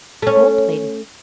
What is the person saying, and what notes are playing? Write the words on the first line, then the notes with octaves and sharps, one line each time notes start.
Gold Plated.
A3 C#4